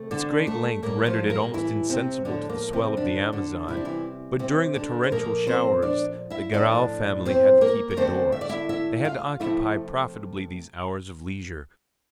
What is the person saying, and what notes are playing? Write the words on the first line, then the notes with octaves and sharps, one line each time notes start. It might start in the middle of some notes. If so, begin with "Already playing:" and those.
Its great length rendered it almost insensible to the swell of the Amazon, but during the torrential showers the Garral family had to keep indoors. They had to occupy profitably these hours of leisure.
Already playing: C3 A3
D3 D4
A3
A2 G3 A#3
F3 F4
A#3 A#4
E3 E4
C3 C4
A2 D3 F3 A3 D4
A#3
C3 C4
D3 D4
D3 D4
C3 G3 E4
D4
E3 E4
C3 C4
D3 D4
C5
A#2 F3 A3 A#3 A#4
C4 C5
D4 D5
E4 E5
A2 F3 A3 D4 D5
C4 C5
A#3 A#4
A#4
D3 A3 C4 C5
E5
D5
E4 E5
E4 E5
F4 F5
C3 F3 A3 E4 E5